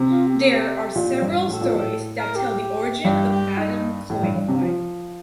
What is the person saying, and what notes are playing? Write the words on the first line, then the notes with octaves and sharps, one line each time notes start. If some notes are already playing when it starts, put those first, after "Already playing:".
There are several stories that tell the origin of Madam Koi Koi.
Already playing: C3
F4
G4
A4
G4
A#2
G2
A2 A4
A#2
A2 A4
A#4
G4
G2 G4
G4
D#4
D#4
A2
G2
G2
C3
F3